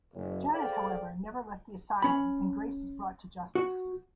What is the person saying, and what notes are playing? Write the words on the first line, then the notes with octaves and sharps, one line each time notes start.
Janet, however, never left the asylum, and Grace is brought to justice.
F#1
G#4 A4 C5 D5 F5 G5
C#4 B5
F#4